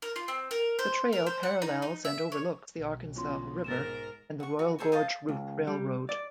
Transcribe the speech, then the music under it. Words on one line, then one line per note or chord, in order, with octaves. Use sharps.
The trail parallels and overlooks the Arkansas River and the Royal Gorge Route Railroad.
A#4
F4
C4
A#4
C5
A#4
C5
F#5
D#4
D#4
E5
C#5
B1
B2 F3 C#4 F4 C6
G#2 A#4 A6 E7
F#5 C#6
F#4
G#4 A4 C5 C#5
C5 D#5 F5 A5
C#2
G3
D5